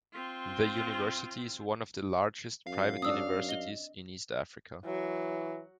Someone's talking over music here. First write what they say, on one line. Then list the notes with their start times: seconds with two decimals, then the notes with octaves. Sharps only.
The university is one of the largest private universities in East Africa.
0.12 C4 F4
2.67 F#2 F5
3.02 C4 D4 D#6 E6
3.49 D#5 G7
4.85 E3 F#3